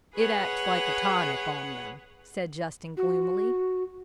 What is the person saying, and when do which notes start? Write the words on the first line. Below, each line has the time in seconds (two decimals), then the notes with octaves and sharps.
"It acts like a tonic on them," said Justin gloomily.
0.15 G#4 B4 C#5 F#5
2.97 F#4